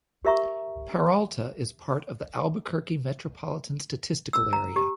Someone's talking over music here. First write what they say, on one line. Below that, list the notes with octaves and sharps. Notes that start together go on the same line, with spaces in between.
Peralta is part of the Albuquerque Metropolitan Statistical Area.
G4 A#4 E5 A#5 C#6
E6
A#5
G4